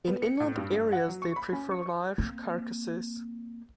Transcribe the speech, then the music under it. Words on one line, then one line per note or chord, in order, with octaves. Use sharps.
In inland areas, they prefer large carcasses.
B3
C#7
A2
G2
G2
F#5
F#3
C#6
B5
C#4
C#6
A#3 C4